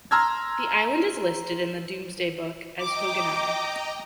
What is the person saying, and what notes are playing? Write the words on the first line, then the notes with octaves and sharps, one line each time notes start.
The island is listed in the Domesday Book as Hougenai.
A#5 C6 E6 F6 G#6
D#5 G5 A#5 D6